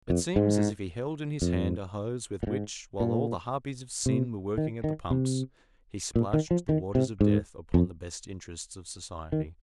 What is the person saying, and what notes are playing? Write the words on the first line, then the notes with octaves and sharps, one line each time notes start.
It seems as if he held in his hand a hose with which, while all the harpies of sin were working at the pumps, he splashed the waters of death upon the best interests of society.
F2
G#2
F2
A#2
G#2
A#2
C3
D#3
D#3
C3
A#2
D#3
F3
D#3
C3
G#2
F2
D#3